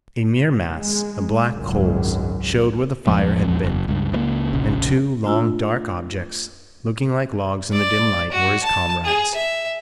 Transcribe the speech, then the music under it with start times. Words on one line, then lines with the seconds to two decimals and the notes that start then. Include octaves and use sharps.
A mere mass of black coals showed where the fire had been, and two long dark objects looking like logs in the dim light were his comrades.
0.73 G#3
1.51 G#1 C#2 F#2
3.07 A#1 E2 F3 G#3
3.64 F#1
3.88 C#2 G2
4.12 C#2 D3 A#3
4.53 F1 A#1 C#3
5.24 A3 D4 F4 E6
7.72 D5
8.32 F#4
8.64 A5
9.04 G#4
9.35 E5